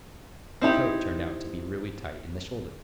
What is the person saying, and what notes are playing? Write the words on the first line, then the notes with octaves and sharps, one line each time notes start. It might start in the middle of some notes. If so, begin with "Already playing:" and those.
But the coat turned out to be really tight in the shoulders.
C4 D#4 E4 G4